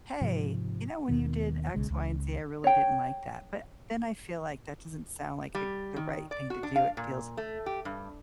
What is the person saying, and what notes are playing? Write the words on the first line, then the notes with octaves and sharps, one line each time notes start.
"Hey, you know, when you did X, Y and Z, I really didn't like that," but then I feel like that doesn't sound like it the right thing to do, it feels
G#2 C3 F3
D#2 B2 D#3 B3
B1 C#3 G#3
C#2
C#5 G5
G3
D#3
D5
F#4
D4
F5
A#2
A3
G4
G2